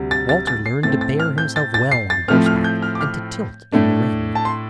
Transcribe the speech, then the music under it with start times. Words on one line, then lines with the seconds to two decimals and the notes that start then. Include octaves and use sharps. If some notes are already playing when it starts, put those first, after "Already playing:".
Walter learned to bear himself well on horseback and to tilt in the ring.
Already playing: D2 C3 G3
0.11 A6
0.29 A6
0.47 A6
0.66 C7
0.83 A2 A3 C4 A6
1.01 A6
1.20 F6
1.38 G6
1.56 A6
1.74 A6
1.91 C7
2.10 A6
2.28 A2 F3 A3 C4 F6
2.46 F6
2.64 G6
2.82 F6
2.95 D6
3.01 F6
3.72 A2 A3 D4
4.35 A5
4.45 C6